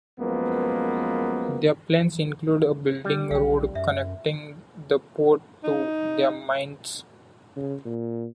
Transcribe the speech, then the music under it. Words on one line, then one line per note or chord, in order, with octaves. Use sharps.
Their plans include building a road connecting the port to their mines.
F#2 F3 G#3 A#3 B3 B4
G3
B1 F5 G5
F#2 E5
D#4
C#3
A#2